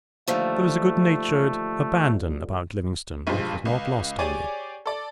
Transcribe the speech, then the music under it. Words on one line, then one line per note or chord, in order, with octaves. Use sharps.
There is a good-natured abandon about Livingstone which was not lost on me.
D#2 D3 F3 A3
B1 G2 F3 G3 G#3 C5
C#2
G4 G#4 C#5 D5 G#5
A4 D5